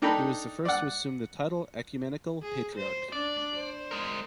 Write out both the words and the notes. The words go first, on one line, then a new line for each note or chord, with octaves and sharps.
He was the first to assume the title "Ecumenical Patriarch".
D4 D#4 A4 G5 A#5 B5
D5 F#5
G#4
C5
D4 D5
C5
G#3 A#4